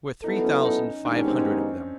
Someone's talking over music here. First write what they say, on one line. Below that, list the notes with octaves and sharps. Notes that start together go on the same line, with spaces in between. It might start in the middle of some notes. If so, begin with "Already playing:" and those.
There were three thousand five hundred of them.
F#3 B3 D#4 E4 A4
C#4
D#4
D#3 G#3 B3 D4 D#4 G4
C#4
C4
C#4